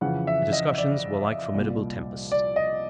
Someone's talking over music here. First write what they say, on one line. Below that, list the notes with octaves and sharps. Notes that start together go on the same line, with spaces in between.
The discussions were like formidable tempests.
F2 C#3 E3 F#5
E5
D#5
D5
C2 A#2
D5
D#5